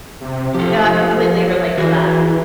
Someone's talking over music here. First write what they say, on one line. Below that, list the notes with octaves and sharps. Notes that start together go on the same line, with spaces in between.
no, I completely relate to that.
C3
F3 G4 A4
E3 F#4 G#4